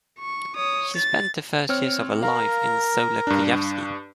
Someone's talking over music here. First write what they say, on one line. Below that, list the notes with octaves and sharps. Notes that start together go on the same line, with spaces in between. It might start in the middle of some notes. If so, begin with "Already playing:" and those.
She spent the first years of her life in Solec Kujawski.
C#6
C#5 D#6
A6
C4 C#5 F6
A#4 F5
G2 D4